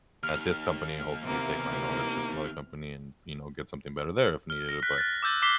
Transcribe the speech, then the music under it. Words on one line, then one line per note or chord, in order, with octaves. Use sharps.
at this company, hopefully, take my knowledge to some other company and, you know, get something better there if needed. But,
D#2 F6
C3 E3 A#3 B3
F6
A#6
F#6 B6
F#6 A6
D6 E6 G6 A6
D6 B6 C7 G7